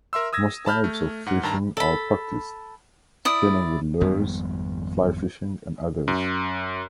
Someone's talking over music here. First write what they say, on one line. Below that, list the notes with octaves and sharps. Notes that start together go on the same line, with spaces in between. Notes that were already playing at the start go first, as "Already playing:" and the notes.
Most types of fishing are practiced: spinning with lures, fly fishing, and others.
A#4 E5 C6 E6
D#6 E6 G#6 A#6
A5 B5 F6 G6
A3
G#2 F#5
G2 D#3 A5 A#5
A4 B5
E4 D5 D#6
G#1 F2 G3 B3
F#2